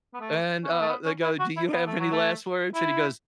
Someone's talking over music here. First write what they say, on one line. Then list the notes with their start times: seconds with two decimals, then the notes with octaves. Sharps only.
and, uh, they go, "Do you have any last words?" and he goes,
0.14 B3
0.20 A3
0.64 C#4
0.71 B3
0.81 A3
0.89 B3
1.05 C#4
1.23 E4
1.40 F#4
1.57 E4
1.73 B3
1.86 A3
1.99 F#3
2.12 A3
2.75 E4